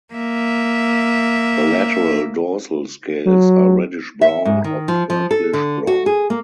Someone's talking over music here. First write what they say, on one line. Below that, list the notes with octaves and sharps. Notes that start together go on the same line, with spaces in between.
The lateral dorsal scales are reddish brown or purplish brown.
A#3 E5
F#3
E5
G#2
D#3
F3
F3
A4
D3
F#4
G#4
A#3